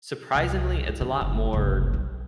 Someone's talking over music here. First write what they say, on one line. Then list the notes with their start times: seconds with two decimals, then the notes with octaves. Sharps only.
surprisingly, it's a lot more
0.35 C2
0.89 E4
1.01 D3
1.21 F#1
1.53 F#1 C2
1.94 B1